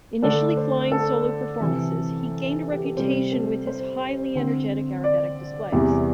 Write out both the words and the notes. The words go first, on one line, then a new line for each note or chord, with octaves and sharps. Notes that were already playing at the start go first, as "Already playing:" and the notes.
Initially flying solo performances, he gained a reputation with his highly energetic aerobatic displays.
D3 A3 D4 A4
C5
A4
C3 E3 C4
G4
A4
C3 G3 C4 C5
A4
C5
D3 C4
D5
E2 C3 E3 G3